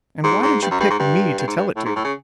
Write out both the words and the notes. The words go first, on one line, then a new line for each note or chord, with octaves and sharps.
"And why did you pick me to tell it to?"
G#2
G#2
G2
F#2
G2
G#2
G2
G2
G#2
G2
A2
G#2
A2
C#3